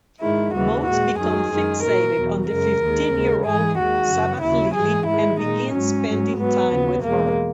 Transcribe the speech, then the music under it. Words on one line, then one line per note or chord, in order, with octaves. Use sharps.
Motes becomes fixated on the fifteen-year-old Sabbath Lily and begins spending time with her.
G#2 D#3 G#3 E4
D#2 C#3 E3 G#3 F#4
A#2 G#3 F#4
F#2 D#3 F#3 G#4
F#2 D#3 G#3
A#2 F#3 A#4
E2 B2 F#3
F#2 C#3 G#3 A#4
D#2 D#3 G#3
D#2 C#3 G#3
G#2 E3 G#3 G#4
D#2 D#3 G#3 F#4
F#2 C#3 E3
D#2 C#3 F#3 E4
G#2 E3 G#3 G#4
G#2 D#3 G#3 E4
A#2 G#3 D#4
G#2 F#3 C#4
G#2 F#3
G#2 F#3 B3
D#2 C#3 F#3
E2 B2 G#3 A#3